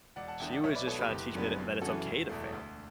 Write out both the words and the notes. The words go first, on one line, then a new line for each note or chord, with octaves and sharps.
She was just trying to teach me that that it's okay to fail
E1 D5 F#5
F#5 A5
E2 D3 E5 G5
D5 F#5
B1 C#5 E5
B4 D5
B2 A3 A4 C#5
G4 B4
F#1
F#2 D3 G3 B3
F#2
C#3 E3 F#4 A4
E1
E2 B2 A3
D2